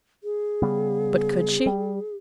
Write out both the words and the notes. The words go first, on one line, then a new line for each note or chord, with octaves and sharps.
But could she?
G#4
C#3 G3 B3
G3